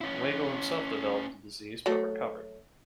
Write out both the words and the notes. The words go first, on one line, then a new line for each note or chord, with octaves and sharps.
Weigl himself developed the disease, but recovered.
C#4 E4
F#3 A3